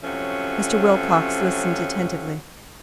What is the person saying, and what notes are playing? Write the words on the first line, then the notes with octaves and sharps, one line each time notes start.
Mr. Wilcox listened attentively.
C3 F3 F#3 A3 C#4